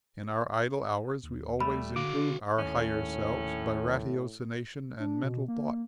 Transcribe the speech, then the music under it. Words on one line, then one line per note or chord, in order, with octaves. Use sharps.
In our idle hours we always improved our higher selves by ratiocination and mental thought.
D#2
G3 A3 B5
D3 F#4 F5 D6
D#2 A2 C#4
D4
B2
A#3